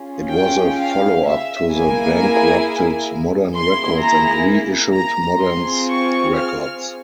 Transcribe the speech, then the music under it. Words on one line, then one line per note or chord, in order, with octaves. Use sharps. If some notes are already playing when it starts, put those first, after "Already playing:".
It was a follow-up to the bankrupted Modern Records and reissued Modern's records.
Already playing: C#4 F4 G#4
G5
F5
E5
A#3 E4 G#4 G#5
A#3 E4 G#4 C6
A#5
A#5
C4 F4 G#4 C6
C#6
F6